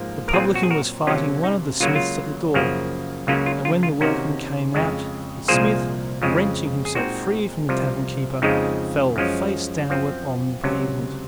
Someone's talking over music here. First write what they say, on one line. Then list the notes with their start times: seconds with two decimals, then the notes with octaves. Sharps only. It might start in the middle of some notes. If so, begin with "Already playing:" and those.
The publican was fighting one of the smiths at the door, and when the workmen came out the smith, wrenching himself free from the tavern keeper, fell face downward on the pavement.
Already playing: G#2 F3 A#3
0.28 A#4
0.34 A#2 F#3 C4 F4 G#4
0.55 F#4
0.63 G#4
0.70 F#4 A#4
1.06 C3 F#3 A#3 C#4 F4
1.43 D#4
1.80 C#2 C#3 F#3 A#3 F4
1.88 F#4
1.95 F4
2.54 F#2 C#3 F3 A#3
3.27 C#2 C#3 F#3 A#3 C#4 F4
3.46 F4
3.65 F4
3.83 F4
4.01 C3 D#3 A#3 C#4 D#4 F#4
4.74 F2 C#3 G#3
5.48 C2 A#2 F3 A#3 G#4 C5
6.22 F2 C#3 F3 G#3
6.85 G#4
6.95 A#2 G#3 C4 D#4 F#4
7.69 C2 C3 F3
8.42 F2 C#3 F3 G#3 D#4
9.16 F#2 F3 G#3 C#4
9.90 F#2 F3 C4
10.63 C#2 C3 F#3 C#4